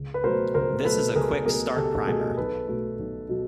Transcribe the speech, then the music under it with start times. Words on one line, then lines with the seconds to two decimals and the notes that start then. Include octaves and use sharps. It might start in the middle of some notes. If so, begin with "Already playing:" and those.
This is a quick start primer.
Already playing: C#2
0.14 B4
0.24 B2 F#3 A3 A#4 C5
0.54 C#2 A#4 C5
0.84 B2 F#3 A3 A4 B4
1.15 C#2 G#4 A#4
1.45 B2 F#3 A3 G#4 A#4
1.76 C#2 G4 A4
2.06 B2 F#3 A3 G#4 A#4
2.37 B1 A4 B4
2.68 B2 F#3 A3
2.99 B1
3.29 B2 F#3